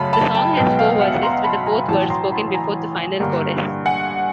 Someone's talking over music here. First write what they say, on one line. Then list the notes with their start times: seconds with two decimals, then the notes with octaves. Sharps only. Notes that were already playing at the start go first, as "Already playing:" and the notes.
The song has four verses, with the fourth verse spoken before the final chorus.
Already playing: F#2 C#3 A3 A5 B5
0.13 A5 B5
0.35 G5 A5
0.57 B1 B2 G#3 B3 G5 A5
0.79 F5 G5
1.01 E5 F#5
1.23 A#5 C6
1.44 A5 B5
1.66 G#5 A#5
1.88 A1 A2 F#3 G5 A5
2.10 A#5 C6
2.32 A5 B5
2.54 G#5 A#5
3.20 G2 D3 G3 A#3
3.85 F#5 G#5